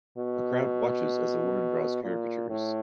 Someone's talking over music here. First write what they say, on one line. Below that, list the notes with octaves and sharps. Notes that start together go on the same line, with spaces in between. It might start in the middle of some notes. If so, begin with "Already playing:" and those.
A crowd watches as a woman draws caricatures.
B2
A#2
A2